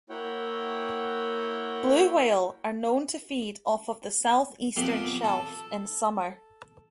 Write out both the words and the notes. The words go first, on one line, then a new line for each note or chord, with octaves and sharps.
Blue whale are known to feed off of the southeastern shelf in summer.
A#3 E4 F#4 C#5 F#5 G5
F2 B3 G4 C6
A4